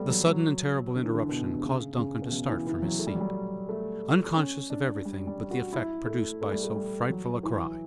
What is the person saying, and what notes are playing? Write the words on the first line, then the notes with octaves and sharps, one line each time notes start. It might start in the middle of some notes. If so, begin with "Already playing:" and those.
The sudden and terrible interruption caused Duncan to start from his seat, unconscious of everything but the effect produced by so frightful a cry.
Already playing: G3 A3 B3
F#3
F#3
D3
E3
D3
B2
D3
C#3
C#3
B2
C#3
E3
E3
F#3
A3
G3
F#3
G3
A3
C#4
D4
G3
G3
F#4
E4
A3
A3
G3
A3
G3
F#3
E3